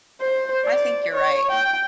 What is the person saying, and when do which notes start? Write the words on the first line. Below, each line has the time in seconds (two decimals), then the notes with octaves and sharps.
I think you're right.
0.21 C5
0.65 D5
1.14 C#5
1.52 G5